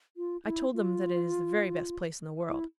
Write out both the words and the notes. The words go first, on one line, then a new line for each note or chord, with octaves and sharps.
I told them that it is the very best place in the world.
F4
E4
F4
E4